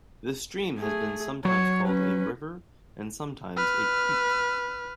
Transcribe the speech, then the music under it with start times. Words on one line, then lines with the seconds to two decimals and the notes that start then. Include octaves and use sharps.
The stream has been sometimes called a river and sometimes a creek.
0.79 A3 G#4
1.45 F#3 C#5
1.86 C#4 B4
3.56 B4 F6